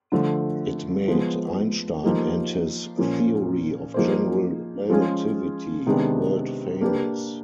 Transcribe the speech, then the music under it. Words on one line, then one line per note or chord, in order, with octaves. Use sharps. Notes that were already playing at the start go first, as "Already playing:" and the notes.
It made Einstein and his theory of general relativity world-famous.
D3 F3 A3
F3 G#3 B3
F3 A#3 D#4 G4
A#2 F3 A#3 C#4
F3 A#3 D#4 G#4 C5
F3 G#3 C#4 F4 G#4
C3 D#3 G#3 B3 D4
A#3 D4 G4 B4